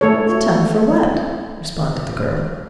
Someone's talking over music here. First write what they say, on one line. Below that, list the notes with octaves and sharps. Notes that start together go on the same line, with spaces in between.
"In time for what?" responded the girl.
A3 A4 C#5